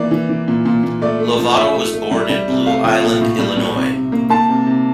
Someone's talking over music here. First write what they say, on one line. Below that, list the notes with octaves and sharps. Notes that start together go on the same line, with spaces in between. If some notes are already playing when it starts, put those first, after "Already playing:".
Lovato was born in Blue Island, Illinois.
Already playing: E3 A#3 D5
E3
E3
A#2
A#2
A#2
A3 D5
A3
F3
A3 E5
A3
A3
G3
G3
C3
A3 F5
F3
A#2
A2
G3
G3
C3
C3
A#3
A#3 A5
C3
C3